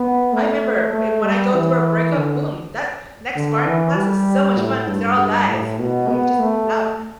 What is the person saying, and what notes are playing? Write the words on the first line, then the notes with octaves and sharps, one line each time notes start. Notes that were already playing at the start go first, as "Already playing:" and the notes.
I member and when I go through a breakup, boom. That next sparring class is so much fun 'cause they're all guys, and you just take it out,
Already playing: B3
A3
A3
G3
E3
D3
D3
E3
G3
A2
G2
G2
A2
B2
B3
A3